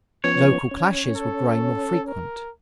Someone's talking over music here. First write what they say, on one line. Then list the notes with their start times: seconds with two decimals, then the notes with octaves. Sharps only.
Local clashes were growing more frequent.
0.24 F3 B3 C#4 C#5
0.71 C#4
1.16 A4
2.07 A#4